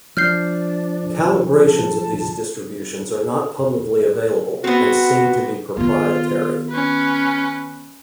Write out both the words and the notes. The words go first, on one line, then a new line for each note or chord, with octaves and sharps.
Calibrations of these distributions are not publicly available, and seem to be proprietary.
F3 D4 F6 G6 C7
A5
B3 C4 F#4
D#3 B3 F4
C#4 B4